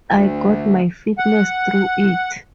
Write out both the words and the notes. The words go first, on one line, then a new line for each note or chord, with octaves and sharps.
I got my fitness through it.
D2
F#5